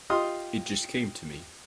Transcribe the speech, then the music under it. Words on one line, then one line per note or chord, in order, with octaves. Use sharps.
It just came to me.
F4 G4 D#5 C6 D#6